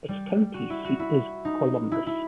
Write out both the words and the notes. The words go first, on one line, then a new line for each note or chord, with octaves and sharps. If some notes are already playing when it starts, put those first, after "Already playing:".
Its county seat is Columbus.
G3
F#4
E4
F#4
E4
D#4
E4
E4